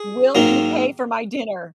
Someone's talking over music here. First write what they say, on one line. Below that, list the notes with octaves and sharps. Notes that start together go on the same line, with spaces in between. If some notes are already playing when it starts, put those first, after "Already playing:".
"Will you pay for my dinner?"
Already playing: G#4
G#2 D#3 F#3 A#3